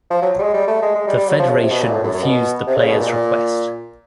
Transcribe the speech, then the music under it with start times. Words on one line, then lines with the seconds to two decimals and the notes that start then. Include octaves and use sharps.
The Federation refused the player's request.
0.10 F3
0.22 F#3
0.38 G3
0.42 G#3
0.54 G3
0.67 A3
0.82 G#3
0.95 G#3
1.07 G3
1.17 G3
1.28 F#3
1.39 F3
1.49 C#3
1.60 C3
1.71 B2
1.81 A#2
1.92 A2
2.03 F#2
2.14 F#2
2.23 B2
2.67 C3
2.77 C#3
2.88 B2
2.98 A#2
3.09 A#2